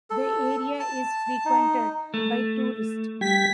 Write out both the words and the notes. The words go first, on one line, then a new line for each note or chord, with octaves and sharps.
The area is frequented by tourists.
A4
A5
D#4
A3
G3 G5 G#6 B6